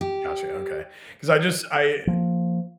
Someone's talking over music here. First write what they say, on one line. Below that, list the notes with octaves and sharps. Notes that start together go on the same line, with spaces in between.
Gotcha, okay, 'cause I just I
G4
F3 A#3